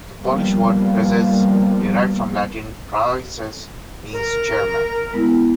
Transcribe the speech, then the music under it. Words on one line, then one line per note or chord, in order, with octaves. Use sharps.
The Polish word "prezes", derived from Latin "praeses" means "chairman".
F3 G3 A#3 B3
A#4
G#3 B3 E4